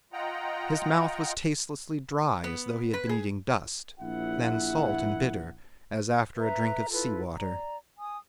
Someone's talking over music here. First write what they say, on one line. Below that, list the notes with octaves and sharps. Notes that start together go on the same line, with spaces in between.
His mouth was tastelessly dry, as though he had been eating dust, then salt and bitter as after a drink of sea-water.
F4 D#5 F#5 G5 A#5
B3
B4
G#4
A#1 E4 F#5
B4 E5 A#5
E4 F4 A4 B4
D5 A#5
G#5 D#6